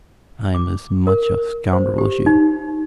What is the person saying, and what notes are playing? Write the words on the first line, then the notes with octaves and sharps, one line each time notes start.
I am as much a scoundrel as you.
D6
A#4
C5
G4
D#4